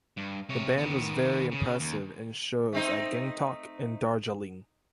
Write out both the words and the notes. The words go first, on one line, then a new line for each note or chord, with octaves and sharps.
The band was very impressive in shows at gangtok and darjeeling.
G2
C3 C#5
D#3 B3
C#3
D#2
A3 C4 D#4